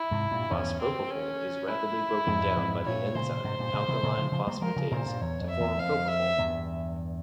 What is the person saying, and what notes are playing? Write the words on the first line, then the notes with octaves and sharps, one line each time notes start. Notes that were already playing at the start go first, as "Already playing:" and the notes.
Fospropofol is rapidly broken down by the enzyme alkaline phosphatase to form propofol.
Already playing: E4
G#2 C3
G2 A#2
E2 G2 C#4
C4
C#4
E4
F2 G#2
F2 G#2
G2 A#2 C#5
A#2 C#3 C5
G#2 C3
G2 A#2
A#2 C#3
C3 E3
A#2 C#3
C#3 F3
C#3 F3
G3 A#3
F3 G#3 A#4
C#3 F3
A#2 C#3 C5
G2 A#2
E2 C#5
F2
E5
E2
F2 F5
E5
E2 G2